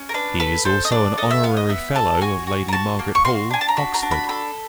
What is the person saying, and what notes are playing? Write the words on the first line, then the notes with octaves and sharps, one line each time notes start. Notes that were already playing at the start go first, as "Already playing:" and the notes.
He is also an Honorary Fellow of Lady Margaret Hall, Oxford.
Already playing: C#4
A#4
D4 B4
A4 B4
A4 C5
D#5
D4 D5
A4 D#5
E5
B3 F5
D#5
B3 E5
A4 A5
F#4 G#5
F#4
A#5
F#4 A5
A#3
C#6
F#4 C6
D4 G#5
A5
A#5
F#4 B5
A#5
D4
B5
A4 B5